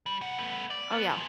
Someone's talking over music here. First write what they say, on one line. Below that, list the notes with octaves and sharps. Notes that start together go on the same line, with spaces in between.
Oh yeah,
G3
C3 F#5
A3 B3
D5
B3
E2 F3